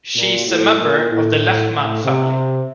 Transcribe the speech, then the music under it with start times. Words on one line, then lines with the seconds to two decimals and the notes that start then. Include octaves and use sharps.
She is a member of the Lehman family.
0.15 A#2
0.47 A2
0.79 A#2
1.10 A2
1.72 A2
2.04 C3